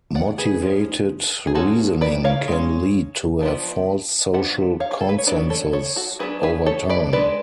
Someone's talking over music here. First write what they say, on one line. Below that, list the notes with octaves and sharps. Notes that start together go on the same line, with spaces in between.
Motivated reasoning can lead to a false social consensus over time.
D5 F#5
G#4 B4
F3 G#3 C#4
G#4
G#3 C#4 F#4 A4
B4 D5
C#5 F5
G#3 C#4
F3 B3 D4
F3 B3 D4 F#5
C#5 F5
G#4
A4
B4
C#5
F#3 B3 D4 B4 D5
A4 C#5
A4 C#5
F#4 A4
F#3 B3 D4 G#4 B4
G#4 B4
A4 C#5
B4 D5
G#3 D4 B4 D5